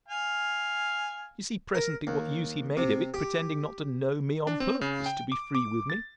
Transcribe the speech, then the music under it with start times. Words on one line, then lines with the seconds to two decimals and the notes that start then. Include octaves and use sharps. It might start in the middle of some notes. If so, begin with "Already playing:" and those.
You see presently what use he made of it, pretending not to know me, on purpose to be free with me.
0.08 F5 G#5
1.75 A#4
2.07 D#2
2.77 C3
3.14 G4
4.47 D4
4.60 C4
4.81 C#3
5.06 G5
5.32 D6
5.55 D6
5.90 A6